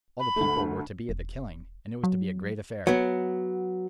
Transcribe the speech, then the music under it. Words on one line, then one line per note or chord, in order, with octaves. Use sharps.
All the people were to be at the killing, and it was to be a great affair.
B5
D2 A3
E1
F#3
F#3 B3